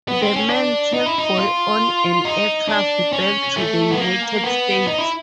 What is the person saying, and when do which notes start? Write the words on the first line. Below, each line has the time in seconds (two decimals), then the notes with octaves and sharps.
The men take Boy on an aircraft back to the United States.
0.08 B3
0.22 C4
0.36 C#4
0.50 D4
0.94 D#4
1.06 E4
1.18 D#4
1.38 F4
2.25 D#4
2.69 D4
3.13 C#4
3.56 A3
3.91 B3
4.00 A#3
4.44 B3
4.87 D#4
4.99 E4